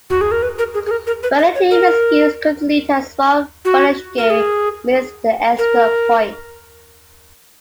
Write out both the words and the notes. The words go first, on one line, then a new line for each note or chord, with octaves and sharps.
But the team's miscues continued as Rolf Benirschke missed the extra point.
F#4
G#4
A#4
B4
A#4
G#4
G#4
A#4
A#4
B4
D#5
C#5
A#4
F#4
A#4
G#4
A#4